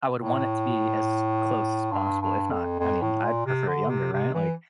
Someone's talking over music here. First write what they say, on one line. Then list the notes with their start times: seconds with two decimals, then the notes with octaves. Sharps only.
I would want it to be as close as possible, if not, I mean, I'd prefer it younger, right, like
0.15 A2
1.92 G2
2.21 G2
2.50 F2
2.79 F2
3.02 A2
3.24 A#2
3.46 C3
3.68 D3
3.90 C3
4.12 C3
4.34 E3